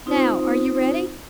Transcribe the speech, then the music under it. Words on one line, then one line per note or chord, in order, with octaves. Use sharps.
Now are you ready?
C4 D#4 F4 C5 D#6